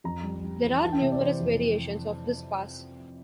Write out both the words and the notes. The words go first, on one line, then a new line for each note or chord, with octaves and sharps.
There are numerous variations of this pass.
F2 A#5
G3
G3
E3
E3 A5
G5
C3 E5
D5
E3 C5
F2